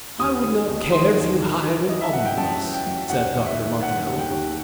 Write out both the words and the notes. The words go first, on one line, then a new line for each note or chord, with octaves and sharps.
I would not care if you hired an omnibus, said Dr. Martineau.
D#2 D#6
D#2
D#2
D#3 C6
D#2
D#3
E3
E3 D#5
E5
E3 F#5
G5
F#2 A5
E3
G5
F#2
D#2 F#5
D#3
E5
D#3
D#3 F#5
D#2
G5
D#2